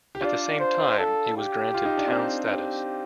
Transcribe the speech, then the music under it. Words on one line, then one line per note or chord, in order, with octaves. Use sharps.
At the same time, it was granted town status.
G4
D4 F4 D5
C5
A4
G4
F4
D#4
D4
C4 D#4
G4